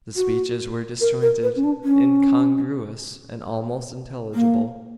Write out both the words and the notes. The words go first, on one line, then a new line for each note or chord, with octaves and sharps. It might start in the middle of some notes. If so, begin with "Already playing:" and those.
The speeches were disjointed--incongruous, and almost unintelligible.
F#4
A#4
A#4
B4
C#4
D4
C#4
A#3